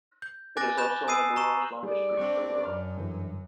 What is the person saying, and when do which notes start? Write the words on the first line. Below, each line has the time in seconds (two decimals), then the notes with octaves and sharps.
It is also one of the world's longest bridges overall.
0.22 G6
0.57 G#5 D6 F#6 A6 A#6
0.77 B5 F#6 G6 E7
1.08 G#5 D#6 E6 C7 D#7
1.36 A#5 C#6 E7
1.83 G3 D#4 G#4 D5
2.17 C4 D4 C#6
2.64 F#2 A5 F6
2.97 G2 D3 E3